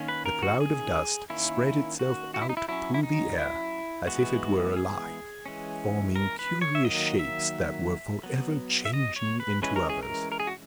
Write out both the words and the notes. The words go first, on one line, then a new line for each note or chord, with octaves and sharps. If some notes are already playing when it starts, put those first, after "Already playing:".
The cloud of dust spread itself out through the air, as if it were alive, forming curious shapes that were for ever changing into others.
Already playing: D#3 A#3 C#4
B4
A#4
F#4
G#4
D#3 A#3 C#4 E4
F#4
F#4
E4
D#4
E4
F#3 C#4 E4
E4
D#4
E4
E3 G#3 B3 F#4
G#4
E3 G#3 C#4
A#4
B4
C#5
E5
D#3 F#3 A#3 D#5
E5
F#3 B3
E5
D#5
C#5
B4
E3 G#3 C#4 B4
A#4
G#4
A#4
A#4
G#4
F#4